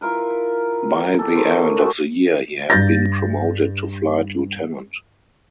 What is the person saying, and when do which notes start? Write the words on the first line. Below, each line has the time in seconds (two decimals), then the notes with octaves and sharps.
By the end of the year he had been promoted to flight lieutenant.
0.01 E4 F4 A#4 B4
1.19 G4 A4
1.34 D#3 B4 C5
1.51 C#5
1.78 G#3 A3 F#4
2.70 G2 G6 A6 A#6